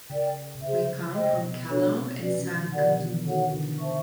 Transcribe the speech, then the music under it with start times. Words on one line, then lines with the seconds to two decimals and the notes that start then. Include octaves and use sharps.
We come from Calonge and Sant Antoni.
0.09 C#3 A#4 D5 G5
0.55 C3
0.62 C#3 G#4 C5 E5
0.80 C#3
0.98 C#3
1.15 C3 C5 D#5 G5
1.33 B2
1.68 B2 D4 F#4 A4 C#5
1.93 C3
2.20 C3 C#4 F#4 B4 D5
2.38 E3
2.55 D#3
2.72 D3 G4 A#4 D5 F#5
2.87 B2
3.00 E3
3.13 E3
3.25 D#3 F#4 A4 C#5 F#5
3.52 D3
3.78 C5 E5 A5 C#6